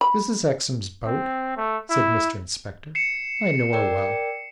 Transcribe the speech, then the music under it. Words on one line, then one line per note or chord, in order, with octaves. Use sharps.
'This is Hexam's boat,' said Mr Inspector. 'I know her well.'
B5
C4
A3
E4
C7 C#7 E7
A#4 D5 G5